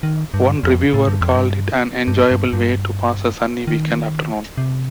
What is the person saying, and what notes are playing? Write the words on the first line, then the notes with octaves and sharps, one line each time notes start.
One reviewer called it an enjoyable way to pass a sunny weekend afternoon.
D#3
G2
F2
A2
G2
F2
G2
G2
G2
G2
D#3
C3